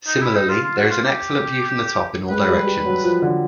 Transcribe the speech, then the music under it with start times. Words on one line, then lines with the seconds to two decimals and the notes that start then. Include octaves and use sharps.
Similarly, there is an excellent view from the top in all directions.
0.07 D#4
0.21 E4
0.35 D#4
0.49 F4
0.63 F4
0.77 F#4
0.90 F4
1.04 G4
2.29 G#3 B4
2.49 G3
2.67 G3
2.85 F#3
3.04 F3
3.22 D3